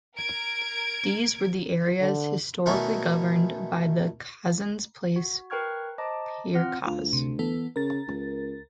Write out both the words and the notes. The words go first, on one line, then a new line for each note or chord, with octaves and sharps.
These were the areas historically governed by the Kazan Palace's Prikaz.
A#4 G#6 D7
D3
B2 D#3 A3 C#4 D#4 E4
F#4
A#4 B4 G5 C#6 F6 G#6
C5 D#5 A5 A#5 D6
C4 F4 F#5 F6
D2 F4
C3
E3 B3 A4
C#3 A#4 A6
C#2